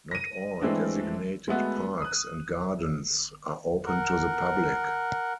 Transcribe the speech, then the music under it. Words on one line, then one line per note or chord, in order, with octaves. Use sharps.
Not all designated parks and gardens are open to the public.
A#6 D#7
E3 G#3 A3 C4 D4
G#3 A3 B3 F#4
D#6 F#6
A#4 F#5